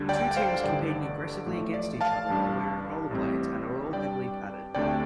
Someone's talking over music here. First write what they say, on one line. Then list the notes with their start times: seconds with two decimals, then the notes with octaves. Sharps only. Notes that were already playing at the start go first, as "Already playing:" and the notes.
Two teams competing aggressively against each other while wearing rollerblades and are all heavily padded.
Already playing: D2 D3 G3 D4
0.09 D5 G5
0.31 G5
0.37 C5 F5
0.64 A1 G2 D3 D5
1.46 A1 A2 F3 A3
1.74 D5
2.01 F5 A5
2.28 A1 G2 G3 D4
3.11 A1 A2 G3 C4
3.92 G2 G3 D4 D5 G5
4.75 D2 C3 A3 D4 D5 G5